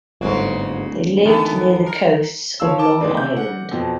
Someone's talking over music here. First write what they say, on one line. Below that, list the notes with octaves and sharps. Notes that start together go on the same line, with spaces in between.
They lived near the coasts of Long Island.
D1 G1 G#2 C#3 A#3 F#4
D#3 E3 B3 A4
A#4
F3 C#5 F5 E6
A5 D6 G7
D#3 E3 G#3 A#3 D4
C#4 G6
F#5
F2 B2 F3 F#3